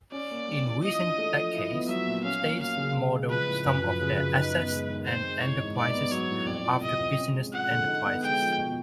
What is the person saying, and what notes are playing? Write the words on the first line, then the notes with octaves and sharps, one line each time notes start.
In recent decades, states modeled some of their assets and enterprises after business enterprises.
C#4 D5
A#3
G3
E3
F4 D#5
D4
A3
F3
E4
B3
F#3 E5
A#2
C#4 F5
A#3
F#3 F5
C#3
C4
G#3
F3 B4
A2
F#2 B4
F3
C#3
F#2
D#4
B3
G#3
D#3
C4 C5
G#3
E3 C#5
G#2
D#4 D5
B3
F#3 C#5
A2
F2 D5
F3
C3 D#5
F2
C#4
G#3
F3 F#5
D3
D#4
B3
G#3 G5
F3
B2